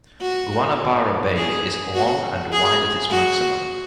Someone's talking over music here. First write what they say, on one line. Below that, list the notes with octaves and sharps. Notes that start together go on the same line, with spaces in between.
Guanabara Bay is long and wide at its maximum.
F#4
G#4
F#4
G#4
F#4